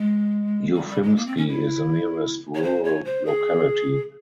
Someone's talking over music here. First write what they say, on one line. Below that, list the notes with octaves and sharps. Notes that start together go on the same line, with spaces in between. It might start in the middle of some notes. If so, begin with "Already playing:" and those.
Ufimsky is the nearest rural locality.
Already playing: G#3
G3
G3
G#3
A#3
C4
C#4
E4
C#5
C5
C#5
C5
G#4